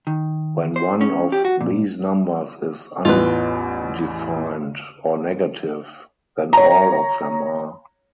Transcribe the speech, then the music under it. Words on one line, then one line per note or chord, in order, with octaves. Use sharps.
When one of these numbers is undefined or negative, then all of them are.
D#3
C5
C#4
G4
F#4
A#2
A1 E2 F4 B4
C#5 A#5